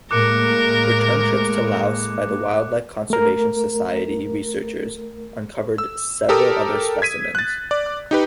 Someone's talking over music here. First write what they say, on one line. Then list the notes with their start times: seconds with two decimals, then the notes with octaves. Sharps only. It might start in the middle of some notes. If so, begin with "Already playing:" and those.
Return trips to Laos by the Wildlife Conservation Society researchers uncovered several other specimens.
0.11 A2 G#3 A#3 A#4 D6 F#6 C#7
3.10 A3 A#4
5.78 E6
6.29 G4 A4 A#4 D#6 E6
7.02 G#6 B6 D#7
7.35 F#6 A6
7.71 D5
8.11 D#4 G4 B4